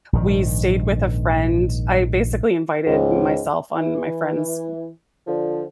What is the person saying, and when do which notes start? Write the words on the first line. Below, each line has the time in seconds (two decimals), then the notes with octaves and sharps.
We stayed with a friend. I basically invited myself on my friend's
0.13 A#1 G#2 D#3
2.86 C#2 G#2
3.75 E3
5.27 D3 F3